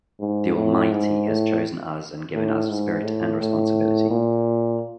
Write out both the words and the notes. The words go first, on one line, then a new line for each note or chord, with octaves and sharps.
The Almighty has chosen us and given us spirit and responsibility.
G#2
A2
G#2
A2
A2
G#2
A2
A2
A#2